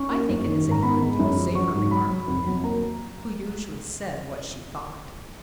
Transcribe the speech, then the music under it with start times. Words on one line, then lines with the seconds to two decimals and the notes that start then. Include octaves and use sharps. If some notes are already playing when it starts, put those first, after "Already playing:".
"I think it is a good deal safer," remarked a Minnow, who usually said what she thought.
Already playing: C#4 C#6
0.10 A#3
0.29 F#2
0.46 D#3
0.64 G#2
0.71 A#5
0.83 B3 B5
1.01 G#3
1.19 F#2
1.36 F3
1.55 F#3 C#6
1.73 G#2
1.91 F#3 B5
2.09 F#3
2.28 F2
2.46 F#3
2.64 A#3 A#5